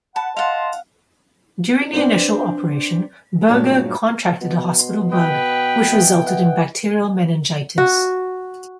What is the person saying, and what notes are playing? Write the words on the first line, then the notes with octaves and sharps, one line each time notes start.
During the initial operation, Burger contracted a hospital bug, which resulted in bacterial meningitis.
F#5 A5 B5
D#5 F5 F#5 A5 C6
C4 D4 A4 B4 C5
G2 A#2 F#3 G#3 A5
B2
C6
B4 D#5 G5
E3 D#5
F#5
F#4